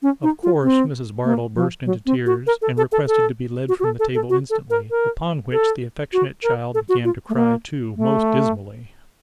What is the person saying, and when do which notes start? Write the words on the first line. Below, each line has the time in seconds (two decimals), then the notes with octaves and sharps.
Of course Mrs. Bardell burst into tears, and requested to be led from the table instantly; upon which the affectionate child began to cry too, most dismally.
0.03 C#4
0.23 D#4
0.43 F4
0.63 C4
1.24 A#3
1.55 F3
1.86 F#3
2.06 C4
2.26 F#4
2.47 A#4
2.62 A4
2.77 A4
2.92 A4
3.07 A4
3.69 F#4
3.80 F#4
3.84 A4
3.99 A4
4.15 A4
4.30 F#4
4.50 A4
4.70 A#4
4.91 A#4
5.52 A4
6.13 F#4
6.43 A#4
6.74 A4
6.89 F#4
7.05 F4
7.29 A3
7.35 A#3
7.97 A3